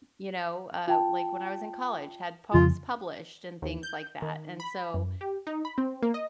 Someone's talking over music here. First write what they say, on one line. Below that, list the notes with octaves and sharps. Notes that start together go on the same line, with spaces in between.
you know, uh, like, "when I was in college, had poems published and things like that." And so,
F4 G5 A5
F2 C#3 F3 F4
D#2
G6
D#3
B5
F#2
G4
D#4
B5
C4
A#3
D#5